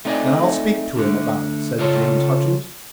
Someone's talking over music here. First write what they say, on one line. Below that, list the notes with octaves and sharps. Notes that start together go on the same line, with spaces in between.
"Then I'll speak to him about it," said James Hutchings.
A3 C4 D#4 D5 D#5 G#5
D3 A3 D4
C#3 F4 A4 C#5 A5